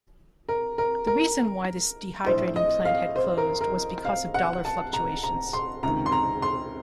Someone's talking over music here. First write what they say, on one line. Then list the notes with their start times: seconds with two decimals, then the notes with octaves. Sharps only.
The reason why this dehydrating plant had closed was because of dollar fluctuations.
0.49 A#4
0.78 A#4
1.07 A#4
2.26 A#1 A2 C5
2.56 D#5
2.85 F5
3.16 C5
3.38 A#4
3.61 A#4
4.05 F5
4.34 F#5
4.65 A5
4.93 A#5
5.23 A#5
5.53 C6
5.83 C#2 C3 D#3 A#5
6.06 C6
6.12 A#5
6.42 C6